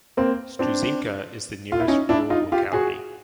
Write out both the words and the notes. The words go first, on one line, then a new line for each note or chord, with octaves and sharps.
Stuzhenka is the nearest rural locality.
A#3 C4
C4 D4
F4
E4
C#4 D#4
D4 E4
D#4 F4
F4 G4
F#4 G#4